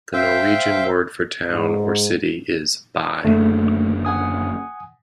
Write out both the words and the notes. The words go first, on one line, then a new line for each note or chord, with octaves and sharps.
The Norwegian word for town or city is "by".
C5 E5 F5 G5
G#2
F#1 D3 A3
F#5 G#5 D#6